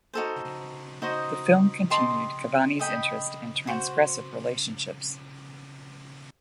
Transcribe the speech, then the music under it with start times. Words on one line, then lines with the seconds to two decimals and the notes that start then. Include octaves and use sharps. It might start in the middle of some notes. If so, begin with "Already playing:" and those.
The film continued Cavani's interest in transgressive relationships.
0.14 D#4 F#4 A4 C5
1.02 D#4 F#4 C5 D#5
1.90 G4 D#5 A5 C6
2.79 A4 D#5 G5 B5
3.67 F#4 C5 F#5